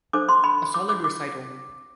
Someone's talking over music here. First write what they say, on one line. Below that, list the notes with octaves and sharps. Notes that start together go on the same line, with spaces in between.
A solid recital.
D4 A4 C5 D6
C6
B5
D6
D6
D6